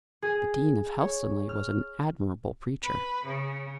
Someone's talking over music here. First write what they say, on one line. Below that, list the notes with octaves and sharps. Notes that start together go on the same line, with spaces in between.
The dean of Helstonleigh was an admirable preacher.
G#4
C#5
F6
B4
C#3